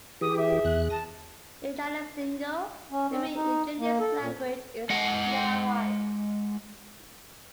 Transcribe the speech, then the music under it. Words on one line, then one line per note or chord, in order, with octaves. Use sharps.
In Jalacingo the main indigenous language is Nahuatl.
E3 G4 G#4 D#6
E5
E2 F#6
A5 D#6 A#6
C#4
C4
D#4
A#3
A4
A#2
G#3 D#5 F#5